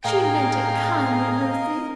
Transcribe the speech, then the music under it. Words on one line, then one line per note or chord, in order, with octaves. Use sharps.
She meant it kindly, Ruthie.
A2 G#4 A#4 D#5 F5 G5 A#5